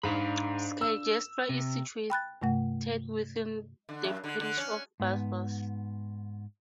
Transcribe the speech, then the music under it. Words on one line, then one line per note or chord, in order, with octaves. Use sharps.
Skigersta is situated within the parish of Barvas.
G#2 D4 F5 B5
E6
C3
G5 B5 F#6 A6
G2 C3 A3 F#5
D3
F#2
D3
D3
C#4
G#2 B3